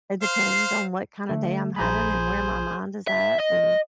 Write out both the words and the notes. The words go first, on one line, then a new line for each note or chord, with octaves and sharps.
It depends on what kind of day I'm having and where my mind is at and,
C5 F5
D3 A3
A#1 G#4 C5 A#5 B5
E5
D#5